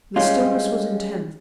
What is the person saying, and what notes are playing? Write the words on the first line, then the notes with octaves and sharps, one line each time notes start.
The stillness was intense.
G3 G#3 C#4 F4